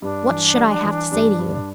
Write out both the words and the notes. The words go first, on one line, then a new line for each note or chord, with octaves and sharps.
"What should I have to say to you?"
G2 D4
E3
G3
E3
G2
G2